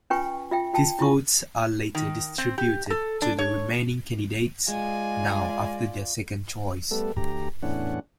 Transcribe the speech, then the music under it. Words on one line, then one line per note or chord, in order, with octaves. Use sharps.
These votes are later distributed to the remaining candidates, now after their second choice.
C#4 F4 B4 G5 G#5 C#6
F4 E5 G5
F4 G5 A5
E4 F4 C#6
D#3
C4
G4
A4
D4
C#5
G#3 F4 D5 G#5
G3 A3 B3 A4
D2 G4 A#5
E2 A2 C#4 D4 F#5